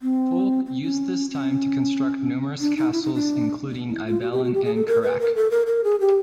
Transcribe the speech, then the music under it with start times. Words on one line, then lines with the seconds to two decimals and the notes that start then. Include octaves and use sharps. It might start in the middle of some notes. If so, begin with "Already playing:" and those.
Fulk used this time to construct numerous castles, including Ibelin and Kerak.
0.02 C4
0.66 C4
0.82 C#4
1.32 C#4
2.60 D4
2.77 D#4
2.92 E4
3.03 D#4
3.14 D4
3.90 E4
4.06 F4
4.21 F#4
4.32 G4
4.44 F#4
4.54 G4
4.65 G#4
4.75 A4
4.87 A#4
5.03 B4
5.19 A#4
5.36 A4
5.51 A#4
5.67 A#4
5.84 G#4
6.00 G4